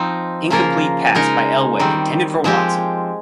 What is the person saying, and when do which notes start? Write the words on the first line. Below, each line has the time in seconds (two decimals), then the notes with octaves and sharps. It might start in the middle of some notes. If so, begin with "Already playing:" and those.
Incomplete pass by Elway, intended for Watson.
Already playing: F3 C4 D#4
0.50 C#3 F3 A#3 F4 A#4
1.15 C#3 G#3 D#4 A#4
1.79 D#3 G3 C4
2.44 F3 G#3 C4 G4